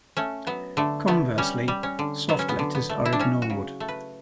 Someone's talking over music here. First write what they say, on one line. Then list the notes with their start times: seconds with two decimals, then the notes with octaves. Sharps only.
Conversely, soft letters are ignored.
0.17 A3 C#4
0.47 F#3 B3
0.77 D3 A3
1.07 A3 B3
1.38 G3 C#4
1.68 G3
1.83 C#4
1.99 D3
2.29 F#3 B3
2.39 C#4
2.49 B3
2.59 D3
2.75 B3
2.89 A3
3.05 E4
3.13 D4
3.19 F#3 C#4
3.42 F#4
3.50 C#3
3.80 A3
3.89 B4